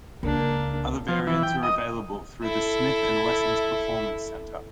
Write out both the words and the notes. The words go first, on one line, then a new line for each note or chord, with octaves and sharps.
Other variants are available through the Smith and Wesson's Performance Center.
C#2 A#3 D4
F3
E3
G5
D#5
E4 A4